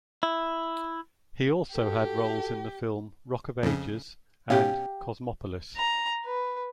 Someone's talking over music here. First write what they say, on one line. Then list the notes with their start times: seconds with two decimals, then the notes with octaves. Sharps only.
He also had roles in the film "Rock of Ages" and "Cosmopolis".
0.23 E4
1.75 F#4 G4 A4
3.63 F2 C#3
4.50 B2 C#4 G4 F5
5.76 A#5
6.25 B4